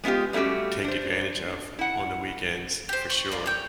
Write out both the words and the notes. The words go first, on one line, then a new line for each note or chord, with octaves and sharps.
take advantage of on the weekends for sure.
G#3 B3 D#4 F4 G4
G3 A3 C#4 F#4 G4
D4 C5
E4 F#5
G4 C5
C#6
F4 D5
C#5 G5